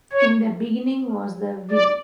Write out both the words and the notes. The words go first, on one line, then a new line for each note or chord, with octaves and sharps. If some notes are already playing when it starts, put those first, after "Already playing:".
In the beginning was the will.
C#5
D5